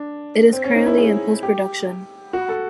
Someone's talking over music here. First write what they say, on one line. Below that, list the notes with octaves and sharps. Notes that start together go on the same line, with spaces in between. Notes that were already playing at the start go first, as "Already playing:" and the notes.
It is currently in post-production.
Already playing: D4
C4
C#4
D#4
E4
G#4
G4
F#4
A4